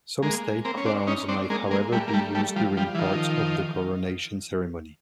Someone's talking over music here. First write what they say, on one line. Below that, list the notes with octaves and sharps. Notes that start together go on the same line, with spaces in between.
Some state crowns might however be used during parts of the coronation ceremony.
G#3 A#3
A#3 C4
C#4
C4 D4
C#4 D#4
C4 D4
G#3 A#3
G#3 A#3
G3 A3
A#3
G3 A3
G3 A3
F3 G3
F3 G3
E3
D#3 F3